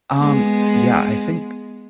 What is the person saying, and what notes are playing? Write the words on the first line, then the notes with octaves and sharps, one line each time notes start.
Um, yeah, I think
G#3 B3